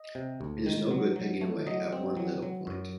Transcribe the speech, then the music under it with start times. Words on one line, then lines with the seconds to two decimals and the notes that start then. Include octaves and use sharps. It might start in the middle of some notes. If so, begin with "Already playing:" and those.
It is no good pegging away at one little point.
Already playing: D#5
0.15 C3
0.41 D2
0.66 D#3
0.91 F#3
1.16 F#3
1.41 A3
1.67 F#3 D#5
1.92 C4
2.17 F#3
2.42 F#3
2.67 F#2